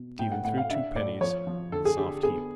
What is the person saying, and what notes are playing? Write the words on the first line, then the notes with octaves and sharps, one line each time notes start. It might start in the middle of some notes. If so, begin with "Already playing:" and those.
Stephen threw two pennies on the soft heap.
Already playing: B2
A2 G5
F#5
A2 F#5
F5
D4 E5
A2 D5
F3 C#5
F3
D3 A4
G#4
D3 G4
B3 G#4